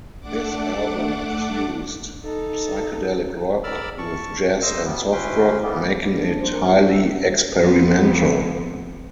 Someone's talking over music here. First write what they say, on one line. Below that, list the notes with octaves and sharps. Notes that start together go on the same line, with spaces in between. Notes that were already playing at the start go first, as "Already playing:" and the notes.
This album fused psychedelic rock with jazz and soft rock, making it highly experimental.
A3 D4 F#5 D6
D#4 A4
A#4 D5 B5 D6 E6 F6
A5 C#6
F2 C5 D#5 E6
D2 C3 G3 B3
D2 A2 C#4 B4 G5 C6
G#2 C#3 E3 G3 A#3 B3
D4
A#3
C5
A#4
E4
E5
F2 B3